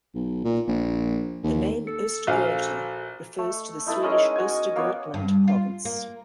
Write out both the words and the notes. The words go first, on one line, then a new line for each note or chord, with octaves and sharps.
The name Östgöta refers to the Swedish Östergötland province.
B1
A#2
A#1
D#2
A4 C#7
A#1 F#4 C5 F5 G#5
A3
D#4 E4 A4 B4
G#3 C#4 A#4 D#5
F#4 G#5
A#3 B3 C#5
G2
F4
A#3